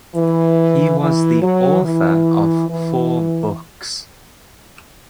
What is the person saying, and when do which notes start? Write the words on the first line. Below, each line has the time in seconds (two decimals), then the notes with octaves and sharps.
He was the author of four books.
0.15 E3
1.00 E3
1.41 F#3
1.84 E3
2.68 E3